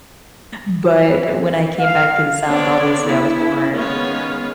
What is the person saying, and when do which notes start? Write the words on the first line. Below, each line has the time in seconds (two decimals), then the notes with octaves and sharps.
but when I came back to the South, obviously, I was more
1.79 F5
2.45 B3 C4 D4 C#5 D5
3.06 B3 E4
3.73 D#3 G#3 B3 C#4 C#5 F5